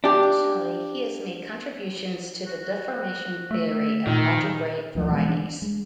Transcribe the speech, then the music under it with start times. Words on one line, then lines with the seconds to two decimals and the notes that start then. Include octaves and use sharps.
Additionally, he has made contributions to the deformation theory of algebraic varieties.
0.04 D4 G4
2.46 F#4
3.51 A3 E5
4.07 A#2 D#3
4.95 D2 F3
5.09 B2 E3 G#3 B3
5.29 D4
5.62 G#3